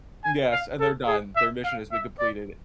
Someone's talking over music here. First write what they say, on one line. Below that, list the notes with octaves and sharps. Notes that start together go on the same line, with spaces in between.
yes, and they're done, their mission has been completed.
G#5
F5
A4
G#4
E5
F5
E5
D5